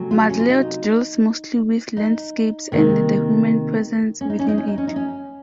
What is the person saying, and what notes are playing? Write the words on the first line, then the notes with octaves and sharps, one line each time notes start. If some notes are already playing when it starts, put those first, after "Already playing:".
Macleod deals mostly with landscapes and the human presence within it.
Already playing: C3 F#3 A3 C#4
F4
C#4
F4
D#4
D#4
C3 D#3 A#3
C#4
D#4
C#4
D#4
C#4
D#4
C#4
D#4
C#4